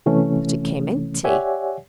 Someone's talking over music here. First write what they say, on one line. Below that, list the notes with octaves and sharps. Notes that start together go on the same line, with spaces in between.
But it came empty.
C3 E3 A3 C#4
G4 C#5 D5 E5 F#5 G#5